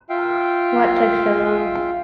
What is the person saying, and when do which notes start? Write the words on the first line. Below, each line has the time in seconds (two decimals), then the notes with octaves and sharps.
What took so long?
0.10 F4 E5 F5 G5